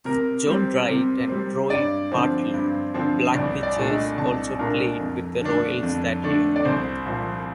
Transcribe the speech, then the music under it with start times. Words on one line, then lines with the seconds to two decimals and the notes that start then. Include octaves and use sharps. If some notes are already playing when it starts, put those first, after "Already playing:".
John Wright and Roy Partlow, black pitchers, also played with the Royals that year.
0.05 C3 A#4
0.47 G3 C4
0.88 C3
1.29 G3 C4
1.70 G2 D5
2.11 D3 F3 C4
2.54 G2
2.94 D3 F3 C4
3.35 C2 D5
3.63 D5
3.76 A#2 A3 D4
3.90 D#5
4.18 C2 A5
4.59 A#2 A3 D4 A#4
5.00 F2
5.41 D3 A3 D4
5.83 F2
6.24 D3 A3 D4
6.56 D5
6.65 C2 C5
7.06 A#2 F3